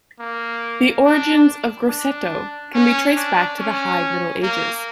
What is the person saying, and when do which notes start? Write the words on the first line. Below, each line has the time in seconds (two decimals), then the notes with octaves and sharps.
The origins of Grosseto can be traced back to the High Middle Ages.
0.20 A#3
1.05 D4
1.89 D4
2.74 C#4
3.17 D4
3.58 C#4
4.42 A#3